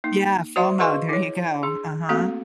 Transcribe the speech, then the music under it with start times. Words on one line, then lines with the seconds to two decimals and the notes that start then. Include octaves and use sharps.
Yeah, FOMO, there you go, uh-huh.
0.04 A#3 D#4
0.56 F#4 C5 D5 E5 C6
0.80 G#4 B4 D#5 F5 C6 C#6
1.09 E4 C#5
1.63 D4 G#4
2.09 A3 A#3 C4 F#4 A4 F5